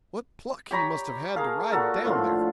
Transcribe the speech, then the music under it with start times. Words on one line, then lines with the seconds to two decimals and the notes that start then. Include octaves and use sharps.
What pluck he must have had to ride down there!'
0.71 G4 C#5 A#5 B5
1.35 G#4 A#4 F5 A5
1.72 A#2 F#4 A4 A#4
2.05 A2 D3 F3 F4